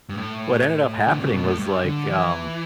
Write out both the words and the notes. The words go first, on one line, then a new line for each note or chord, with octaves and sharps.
what ended up happening was like, um,
G2
A2
D3
C#3
B2
A2
G2
D3
E3